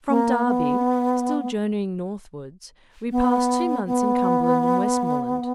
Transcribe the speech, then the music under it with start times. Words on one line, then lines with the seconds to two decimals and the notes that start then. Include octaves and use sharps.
From Derby, still journeying northwards, we passed two months in Cumberland and Westmorland.
0.09 A#3
0.46 B3
3.11 B3
3.87 B3